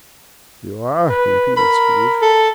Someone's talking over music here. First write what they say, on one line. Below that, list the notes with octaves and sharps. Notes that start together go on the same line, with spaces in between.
"You are?" repeated Scrooge.
B4
A#4 B5
A4